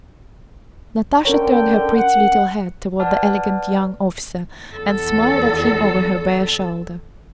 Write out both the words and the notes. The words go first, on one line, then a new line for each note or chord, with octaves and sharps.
Natasha turned her pretty little head toward the elegant young officer and smiled at him over her bare shoulder.
D3 C#4 A#4 C#5 G5
F#5
B4 D5 F#5 A5 F6
E2 A4